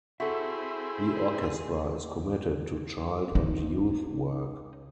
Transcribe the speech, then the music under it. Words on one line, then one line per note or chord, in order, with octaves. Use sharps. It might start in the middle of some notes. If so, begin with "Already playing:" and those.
The orchestra is committed to child and youth work.
C4 E4 F#4 G#4 A4 E5
D#4